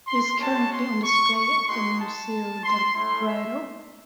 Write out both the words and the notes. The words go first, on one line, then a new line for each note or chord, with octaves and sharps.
It is currently on display at the Museo del Prado.
C6
G#3 C#4 F#4 A5
C6
C#6
C#6
G#3 D#4 F#4 C6
A5
C6
A3 C#4 E4 C6
E5